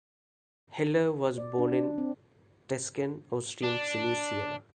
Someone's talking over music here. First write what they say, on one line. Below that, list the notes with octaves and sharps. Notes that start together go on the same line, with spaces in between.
Heller was born in Teschen, Austrian Silesia.
D5
D4
D4
C4
D4